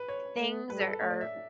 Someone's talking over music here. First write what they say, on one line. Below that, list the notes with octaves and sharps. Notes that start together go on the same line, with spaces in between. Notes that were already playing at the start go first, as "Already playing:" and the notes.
things or or,
Already playing: B4
C#5
A3
G3 B4
A4
A4
A3 C#5
D5
E5